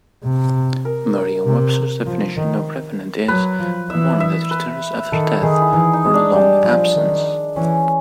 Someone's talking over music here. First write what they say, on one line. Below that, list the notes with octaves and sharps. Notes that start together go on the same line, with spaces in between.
Merriam-Webster's definition of revenant is one that returns after death or a long absence.
C3
A#4
C3
F3
D#3
F#3 B4
F3
E3 E5
E5
B4
D#3 A4
D#3 G#4
E4
E3 D#4
D#4
G#3
D4
G3
F3
D#3
E3 C#4